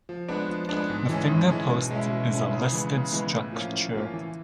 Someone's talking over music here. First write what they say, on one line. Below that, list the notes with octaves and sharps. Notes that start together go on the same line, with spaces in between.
The finger post is a listed structure.
F3
G#3 B3 D4
F3
G#3 B3 D4
G#2
E3 G#3 C#4
G#2
E3 G#3 C#4
B2
G#3 C#4 E4
B2
G#3 C#4 E4
C#3
E3 G#3 B3
C#3
E3 G#3 B3
A2
F3 A#3 C#4 F4
A2
F3 A#3 C#4 F4
E3